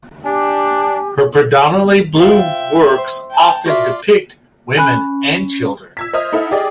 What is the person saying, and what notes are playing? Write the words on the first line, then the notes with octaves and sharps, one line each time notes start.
Her predominately blue works often depict women and children.
D4 G4 G#5
F4 C5 E5 F5 G5
C5
G5 A5
F4 F#4 A#4 D5 E5
C#4 G#5 B5 F#6
E6 G#6 B6
C5 D#5 E5 D#6 F6 G#6
D#4 E4 A4 E5 F#5
G4 G#4 D5 D#5